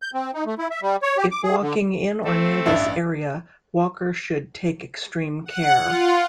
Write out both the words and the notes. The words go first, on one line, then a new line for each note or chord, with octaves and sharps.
If walking in or near this area, walker should take extreme care.
G6
C4
D#4
A3
E4
E5
G3
C#5
G4
D6
G#4
D3
A3 C4 A4
A1 G2 D4 E5
F#5
F4